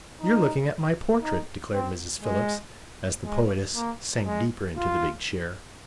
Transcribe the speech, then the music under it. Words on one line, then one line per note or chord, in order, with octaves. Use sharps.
"You're looking at my portrait!" declared Mrs. Phillips, as the poetess sank deeper into the big chair.
D#4
D#4
C4
G#3
G#3
A#3
G#3
F4